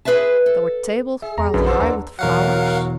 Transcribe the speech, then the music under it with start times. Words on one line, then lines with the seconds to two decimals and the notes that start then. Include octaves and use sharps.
There were tables piled high with flowers.
0.05 G#4 B4 C5 E5 A5
0.46 A4
1.22 G#4 E5
1.38 E2 A#5
1.54 A#1 F#2 D3 E4 B4
1.66 D#3 C4 C5 F#5 C6 E6
1.80 D#2 D4 A#5
2.19 E1 F#3 A#4 F5 F#5 F#6 C7